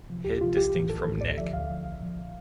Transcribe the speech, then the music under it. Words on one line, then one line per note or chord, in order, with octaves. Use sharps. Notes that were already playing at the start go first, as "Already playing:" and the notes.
Head distinct from neck.
C3 F3
D2 G4
C3 F3 F4
A#1 G4
A2 E3
A#1 A4
A2 E3
D2 D5
D3 F3 E5
D2 F5
D3 F3
A#1 F5
A#2 F3